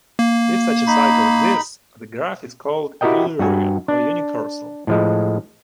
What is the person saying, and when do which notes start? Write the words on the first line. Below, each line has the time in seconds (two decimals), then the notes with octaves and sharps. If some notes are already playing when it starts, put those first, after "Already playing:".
If such a cycle exists, the graph is called Eulerian or unicursal.
0.19 A#3
0.87 D#4 B5
3.01 E4 F#4 G4 A#4 D#5 G5
3.39 G2 F#4 G#5
3.88 D4
4.87 A2 F3 G#3